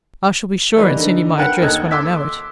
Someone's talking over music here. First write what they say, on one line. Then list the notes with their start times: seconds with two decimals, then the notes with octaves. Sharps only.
I shall be sure and send you my address when I know it.'
0.76 E3 G3 A#3 D#4 B4
0.97 D3 D#4
1.38 A#4 B4 F#5 G5 F6 F#6
1.62 D#2 A4 D#5 G#6
1.91 C6 D6 E6 B6